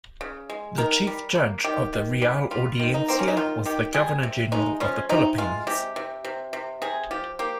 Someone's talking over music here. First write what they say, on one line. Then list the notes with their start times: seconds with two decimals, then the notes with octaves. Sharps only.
The Chief Judge of the Real Audiencia was the Governor-General of the Philippines.
0.21 C#3
0.50 G#3
0.78 D#3 A#4
1.07 G3
1.35 A#3
1.64 D#3 G4
1.93 D#3
2.22 G3
2.51 G3 F4
2.80 D#3
2.94 D#4
3.08 A#3 C4
3.19 C#4
3.28 D#4
3.37 D#3 F4
3.66 D#3 G4
3.94 G3 G#4
4.23 C3
4.52 G#3 D#4
4.80 F3 C#4
5.09 C3 D#4
5.38 G#3 F4
5.67 C3 G4
5.96 C3
6.24 C3
6.53 C3
6.82 C3 G#4
7.11 F3 G4
7.39 A#3 G4